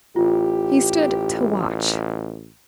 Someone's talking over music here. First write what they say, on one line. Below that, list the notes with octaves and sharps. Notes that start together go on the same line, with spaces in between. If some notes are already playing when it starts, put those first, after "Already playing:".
He stood to watch.
A1 F4 G4